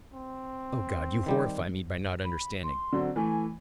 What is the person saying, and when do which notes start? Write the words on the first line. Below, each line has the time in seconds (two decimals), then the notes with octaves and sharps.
Oh, God, you horrify me by not understanding!
0.13 C4
1.26 D#3 G3 G4
2.24 B5
2.63 C6
2.92 D3 F#3 C4
3.16 E3 A3 G#5